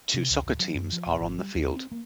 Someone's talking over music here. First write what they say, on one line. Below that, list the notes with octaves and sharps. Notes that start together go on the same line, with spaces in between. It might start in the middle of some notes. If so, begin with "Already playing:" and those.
Two soccer teams are on the field.
C3
C#2
D1
F#3
F#2
F3
D#1
G#1
G3
D#2
C4
A#3